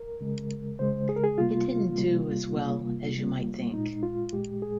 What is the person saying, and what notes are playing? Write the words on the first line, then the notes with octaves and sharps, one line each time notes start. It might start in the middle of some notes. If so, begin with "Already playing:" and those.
It didn't do as well as you might think.
Already playing: A#4
C#3 G#3
C#3 G#3 C5
G#4
A#4
G#4
C3 G3 A#3 F4
C3 G3 A#3
C3 G3 A#3
C3 G3 A#3
A#2 G#3 D#4
F4
A#2 G#3 G4
G#4